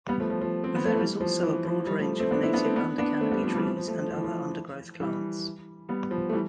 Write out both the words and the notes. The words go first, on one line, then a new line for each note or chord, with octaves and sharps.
There is also a broad range of native undercanopy trees and other undergrowth plants.
G3 B3
F3 A3
F3
F3
C4
B3
A3
E3 G3
F3
E3
F3
E3 G3
F3 A3
A3 C4
B3 D4
C4 E4
B3 D4
A3 C4
B3 D4
B3 D4
A3 C4
G3 B3
F3 A3
E3 G3
F3
F3
F3 A3
F3
F3
E3
F3
E3 G3
G3 B3
F3
A3
E3 G3